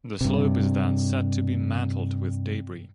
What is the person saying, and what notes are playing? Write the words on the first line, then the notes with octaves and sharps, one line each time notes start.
The slope is then said to be "mantled" with debris.
G2 C3